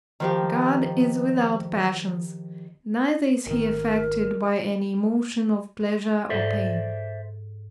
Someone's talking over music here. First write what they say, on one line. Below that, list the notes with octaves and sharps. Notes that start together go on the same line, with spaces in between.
God is without passions, neither is he affected by any emotion of pleasure or pain.
D#3 F3 G4
G#1 D#3 A#4
G#2 A4 C5 D5 E5